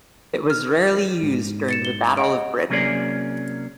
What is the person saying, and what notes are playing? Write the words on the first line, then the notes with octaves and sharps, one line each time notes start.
It was rarely used during the Battle of Britain.
F6
G#2
A6 C#7 E7
G7
D#5 F#5 D7
C3 F#3 A#3 C#4 G#4 D5